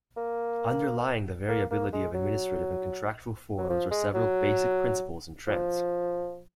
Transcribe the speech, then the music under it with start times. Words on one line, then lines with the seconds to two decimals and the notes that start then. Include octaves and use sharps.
Underlying the variability of administrative and contractual forms were several basic principles and trends.
0.17 A#3
1.49 A#3
1.71 A#3
1.93 G#3
2.15 F#3
3.58 F#3
3.70 F3
3.91 G#3
4.14 F#3
5.47 F3